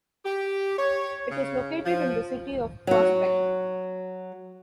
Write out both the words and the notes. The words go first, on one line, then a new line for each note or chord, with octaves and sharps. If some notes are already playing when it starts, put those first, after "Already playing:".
It is located in the City of Prospect.
G4
C#5
C#3
F3
F#3 F#4